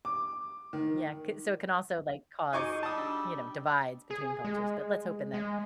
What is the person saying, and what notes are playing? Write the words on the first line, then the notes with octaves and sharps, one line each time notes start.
Yeah, ‘ca so it can also like cause, you know, divides between cultures, but let's hope in that
D6
D#3
D#4 F#4 G#4 G#5 C#6 D6 C7
G3 A5 D#6
D4 G5 E6
G#4
G#3
G#3